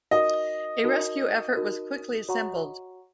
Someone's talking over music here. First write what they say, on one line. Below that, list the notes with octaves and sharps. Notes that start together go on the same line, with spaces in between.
A rescue effort was quickly assembled.
D#4 F#4 A#4 D#5
D#4 F#4 A#4
D#4 F#4 A#4
F#4 C#5 F#5 A#5 C#6